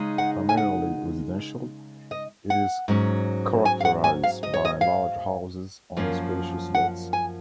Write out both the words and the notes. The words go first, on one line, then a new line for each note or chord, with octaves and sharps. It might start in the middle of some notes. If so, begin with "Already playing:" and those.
Primarily residential, it is characterized by large houses on spacious lots.
Already playing: C#3 G#3 D#4
F#5
G#5
F#5
D#5
F#5
G#2 F#3 C#4
G#5
F5
F#5
G#5
F5
D#5
C#5
D#5
F5
F#2 F3 A#3 C#4
F#5
G#5